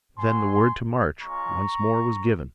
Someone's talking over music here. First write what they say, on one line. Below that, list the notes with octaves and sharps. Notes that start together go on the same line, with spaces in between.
Then the word to march once more was given.
C4 F#4 G#5 C6
G#3 C#4 F4 A#5 C#6